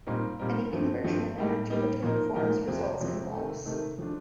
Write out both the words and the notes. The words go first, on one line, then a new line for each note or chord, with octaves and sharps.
Any conversion of energy between forms results in loss.
A#2 G3 C4 D#4 A#4
A#2 G3 C4 D#4 A#4
G2 F3 A3 C4
G2 F3 A3 C4
A2 G3 A#3 D#4
A2 G3 A#3 D#4
A#2 F3 A#3 D#4 A#4
A#2 F3 A#3 D#4 A#4
F2 C3 F3 C4
F2 C3 F3 C4
C3 D#3 A3 D#4 A4
C3 D#3 A3 D#4 A4
F3 A3 D4